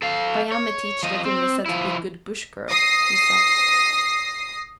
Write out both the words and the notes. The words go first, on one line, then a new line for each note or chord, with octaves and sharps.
"Baiame teach little Missa to be good Bush girl," he said.
A4 F5
C#5
F3 D#5
C4
F3 E4
D#6 A#6 C7